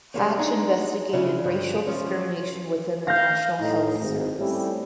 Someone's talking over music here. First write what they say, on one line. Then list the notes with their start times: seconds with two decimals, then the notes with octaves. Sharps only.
Hatch investigated racial discrimination within the National Health Service.
0.14 G3 G#3 A#3 C#4
0.39 G#3 D4 D#4
1.13 C#3 C#4 D4 E4
1.44 G2 D3
1.87 F3 C#4
3.07 F5 G6 A#6
3.59 A2 D#4
4.00 G#1 G#2
4.38 G3 A3 C4 C#4 E4 G4